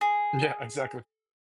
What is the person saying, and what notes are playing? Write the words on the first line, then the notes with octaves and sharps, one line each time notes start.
Yeah, exactly.
G#4